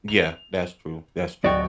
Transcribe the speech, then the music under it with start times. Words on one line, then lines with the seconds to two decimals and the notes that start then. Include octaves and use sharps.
Yeah. That's true, that's true,
0.08 F7
1.44 D1 F#4 D5 D#5 G5 C#6